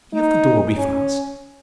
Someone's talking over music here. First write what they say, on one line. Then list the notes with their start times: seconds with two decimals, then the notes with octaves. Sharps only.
See if the door be fast.
0.14 D#4
0.77 C#4